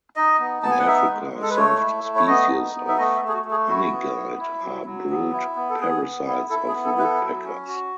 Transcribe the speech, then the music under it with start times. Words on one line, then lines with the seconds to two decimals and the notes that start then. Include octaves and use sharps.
In Africa, several species of honeyguide are brood parasites of woodpeckers.
0.16 D#4 D#5
0.39 B3
0.63 B3 A5
0.71 G#5
0.79 F#5
0.87 D#4 E5
1.10 G#3
1.33 G#3
1.42 A4
1.50 B4
1.57 A3 C#5
1.80 E4
2.04 A3
2.15 C#5
2.27 B3 D#5
2.51 D#4
2.75 B3
2.88 E5
2.98 A3 D#5
3.16 E5
3.22 A3
3.28 G#4
3.33 F#4
3.45 A3
3.51 G#4
3.68 E4 F#4
3.91 B3
4.15 E4
4.39 E4
4.62 F#3
4.86 F#3
5.10 B3
5.33 E4
5.56 B3
5.70 A4
5.80 B3 G#4
6.03 B3
6.27 E4
6.50 E4 A4
6.68 G#4
6.73 B3
6.85 A4
6.98 E4 B4
7.03 A4
7.21 F#3
7.44 C#4
7.67 F#4